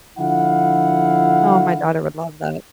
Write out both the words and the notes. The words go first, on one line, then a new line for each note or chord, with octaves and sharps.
Oh, my daughter would love that.
D3 F3 E4 F5 F#5